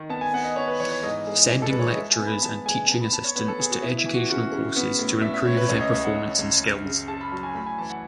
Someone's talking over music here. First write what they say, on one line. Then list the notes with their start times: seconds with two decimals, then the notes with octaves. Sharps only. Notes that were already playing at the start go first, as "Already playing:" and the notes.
Sending lecturers and teaching assistants to educational courses to improve their performance and skills.
Already playing: D#3
0.09 B3 A5
0.21 G#5
0.34 B3 F#5
0.44 D#5
0.56 B3 C#5
0.68 B4
0.80 E3 C#5
0.91 C#5
1.03 G#2 D#5
1.27 G#3
1.50 E3
1.62 A4
1.70 G#3 B4
1.79 C#5
1.88 D#5
1.96 G#3 E5
2.12 G#5
2.19 B3
2.27 B5
2.43 B3 A5
2.66 G#3 G#5
2.89 B3 A5
3.01 B5
3.12 B3 A5
3.24 C#5
3.36 B3 B4
3.48 A4
3.59 B3 G#4
3.70 F#4
3.82 B3 E4
3.98 E4
4.06 E3
4.14 F#4
4.29 C#3 F#4
4.53 C#3
4.76 B3
4.99 A2
5.22 A2 E5
5.34 E5
5.45 A2 C#5
5.57 B4
5.68 C#2 C#5
5.81 D#5
5.92 C#2 E5
6.04 F#5
6.16 C#2
6.39 C#2
6.61 F#2
6.85 C#3
7.08 C#3 A5
7.21 B5
7.31 F#3 A5
7.43 G#5
7.55 A2 B5
7.66 G#5
7.78 E3 A5
7.90 F#5